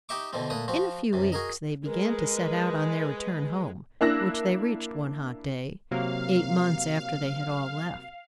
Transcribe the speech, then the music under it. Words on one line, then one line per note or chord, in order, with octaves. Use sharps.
In a few weeks they began to set out on their return home, which they reached one hot day, eight months after they had all left.
D#4 G4 D#5 E5 C#6 D6
B2 D3 E3 C4
A#2 A3 B4 D#6
F3 C4 F#4
F#2 C3
F#4 G#4 A#4 D#5
G#3 A#4 B4
A#3 D4 E4 E6 F#6 A#6
C3 F#3 A#3 F5